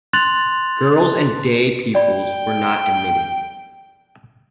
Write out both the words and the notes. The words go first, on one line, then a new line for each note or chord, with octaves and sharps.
Girls and day pupils were not admitted.
C6 F#6 A6 F7 F#7
D5 G5 B5